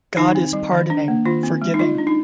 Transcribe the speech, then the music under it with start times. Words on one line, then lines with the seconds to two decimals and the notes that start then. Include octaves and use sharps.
God is Pardoning, Forgiving.
0.17 D#3 D#4
0.35 C4
0.53 G3
0.72 D#3
0.90 D4
1.08 A#3
1.25 D#3 F4
1.43 C4
1.62 G#3
1.74 D#4
1.79 G3 F4
1.98 D4
2.07 D#4